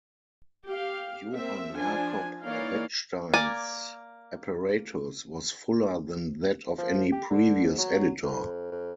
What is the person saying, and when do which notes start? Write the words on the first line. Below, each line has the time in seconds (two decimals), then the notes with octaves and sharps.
Johann Jakob Wettstein's apparatus was fuller than that of any previous editor.
0.69 G4 F5
1.32 A#3 C4 E5
1.74 F3 D4 G#5
2.43 E3 A#3 D#4 C#5 D5 F5
3.34 A#3 D5 G#5
6.78 F3
7.12 G4
7.31 D3
7.64 G#2
7.78 F#3
8.24 F2
8.72 F2